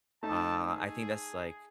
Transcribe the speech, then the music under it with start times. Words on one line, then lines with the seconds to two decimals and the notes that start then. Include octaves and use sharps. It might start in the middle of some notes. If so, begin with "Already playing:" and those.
Uh, I think that's, like,
0.23 A3 D#4 A5
0.64 G#4